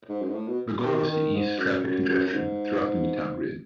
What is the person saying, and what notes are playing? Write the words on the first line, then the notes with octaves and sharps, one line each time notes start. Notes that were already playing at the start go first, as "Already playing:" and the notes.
The goal was to ease traffic congestion throughout the midtown grid.
G#2
F#2
G#2
A2
B2
D#3
D#3
G#2
F#2
F#2
F#2
F#2
G#2